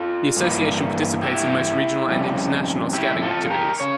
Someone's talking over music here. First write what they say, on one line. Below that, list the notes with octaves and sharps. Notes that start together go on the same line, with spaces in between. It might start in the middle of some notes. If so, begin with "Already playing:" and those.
The Association participates in most regional and international Scouting activities.
Already playing: F4 A4
G2 E3 A#3
E4 G4
F2 C#3 G3
E4 G4
F4 A4
G4 A#4
C#3 C#5